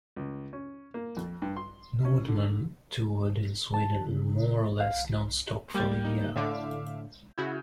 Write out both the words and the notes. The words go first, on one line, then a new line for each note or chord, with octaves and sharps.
Nordman toured in Sweden, more or less nonstop for a year.
C#2
C#4
A#3
F2
G2
C6
C#4
D3
A5
C#3
F5
G3 A#3 G5 G6
A#3 D#4
A2 D3 E5 F5 D6
C#3 E4 F#4 G6 G#6